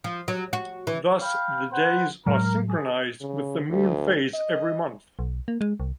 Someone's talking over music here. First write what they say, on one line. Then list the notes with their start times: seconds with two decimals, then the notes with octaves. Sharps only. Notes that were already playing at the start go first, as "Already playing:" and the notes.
Thus the days are synchronized with the moon phase every month.
0.04 F3
0.28 F#3
0.53 F#4
0.87 E3
1.21 F5 G5 B5
1.71 B4 C5 F#5
2.26 A2 F#3 G#3 A#4
2.69 G#4
3.21 C#3
3.69 D2
4.34 D#5
5.19 B1
5.48 A#3
5.61 G#3
5.80 C2